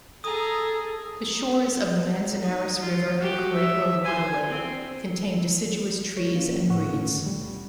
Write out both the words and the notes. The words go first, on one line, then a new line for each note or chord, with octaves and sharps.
The shores of the Manzanares River and Culebro Waterway contain deciduous trees and reeds.
G#4 A4 A#5 D#6
D#4
F4
F#4 G4
E5
C5 G#5
C4
C#5
A#3 C#4 F4
A2 C3 D#3 F#5 C#6
G2 D3 D#3 A3 C#4
D#2 B2 G3